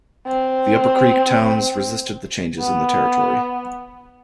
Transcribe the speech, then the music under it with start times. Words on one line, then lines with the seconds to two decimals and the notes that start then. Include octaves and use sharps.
The Upper Creek towns resisted the changes in the territory.
0.27 C4
2.60 B3